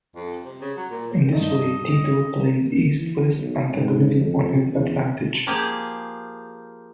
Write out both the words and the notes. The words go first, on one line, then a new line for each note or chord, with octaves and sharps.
In this way, Tito played East-West antagonism to his advantage.
F2
C3
C#3
F#3
A#2
G2 D#4 D5 D#5
A#3
E3
B1
G#2
F2
E2
F3 A#3 G4 G#4